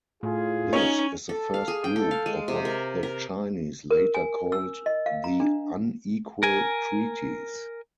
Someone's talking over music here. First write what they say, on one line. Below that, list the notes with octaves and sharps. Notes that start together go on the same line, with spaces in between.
This is the first group of what the Chinese later called the "unequal treaties".
A2 F4 G#4
C#4 D#4 C#5
A4
F5
G#4
G5
A4
F5
G#3
C3
A#4
A#4
A#4
G#5
E6
D#5
F5
A#5
D4
A#4 G#5